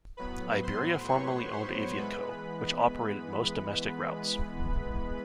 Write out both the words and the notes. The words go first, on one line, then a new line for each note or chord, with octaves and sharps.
Iberia formerly owned Aviaco, which operated most domestic routes.
A2 F#3 B3 B4 B5
C5 C6
C#5 C#6
C5 C6
E3 G#3 B3 B4 B5